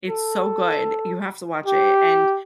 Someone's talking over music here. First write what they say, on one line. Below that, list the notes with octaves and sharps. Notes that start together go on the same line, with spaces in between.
It's so good, you have to watch it and
A4
G4